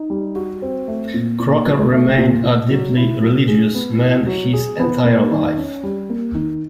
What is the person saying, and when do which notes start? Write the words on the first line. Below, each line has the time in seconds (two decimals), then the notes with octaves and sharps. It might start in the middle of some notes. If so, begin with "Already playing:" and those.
Crocker remained a deeply religious man his entire life.
Already playing: D#4
0.10 G3
0.35 F#4
0.62 C4
0.88 A3
1.14 A#2
1.40 A#2
1.66 F#3
1.92 A3
2.18 A#2
2.44 A#2
2.71 F#3
2.97 E4
3.22 F#3
3.48 G#4
3.75 B3
4.00 E4
4.27 F#3
4.53 G#4
4.79 B3
5.04 A#3
5.31 D#3
5.57 C#4
5.83 G3
6.10 A#3
6.35 D#3